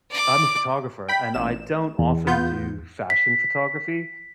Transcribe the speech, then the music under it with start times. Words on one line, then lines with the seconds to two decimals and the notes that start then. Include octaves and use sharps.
I'm a photographer, and I don't often do fashion photography.
0.11 D5 D6
1.08 G5 B5 B6
1.34 A1 E7
1.99 E2
2.27 B3 F4 G6
3.10 B6